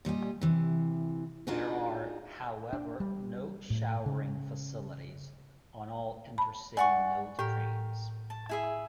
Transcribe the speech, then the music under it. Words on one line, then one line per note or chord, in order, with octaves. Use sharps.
There are, however, no showering facilities on all Intercity Notte trains.
A#2 G3 D#5 G#5
C3 E3
D4 D#4 F4 F#4 G#4
D4
G3
A2
C#3
A5 B5
D5 F#5 G#5 C#6
A2 G4 A#4
A5
E4 G#4 E5